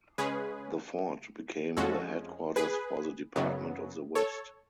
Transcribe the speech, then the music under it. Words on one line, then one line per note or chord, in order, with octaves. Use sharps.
The fort became the headquarters for the Department of the West.
C#3 G#3 C#4 G#4 B4
F2 F3 G#3 C#4 F#4 A4
G#4 B4
F#2 C#3 F#3 B3
A4 C#5